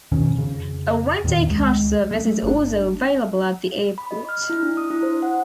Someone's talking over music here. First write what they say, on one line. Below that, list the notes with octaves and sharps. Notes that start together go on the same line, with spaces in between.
A Rent-a-Car service is also available at the airport.
F2 B2 D#3 C#4
F2 C#3
E2 A#2 D#3
C#2 G#3
G#3 A3
G1 D4
B5
D#5
F6
E4
D4
D#6
E4
C5
F#5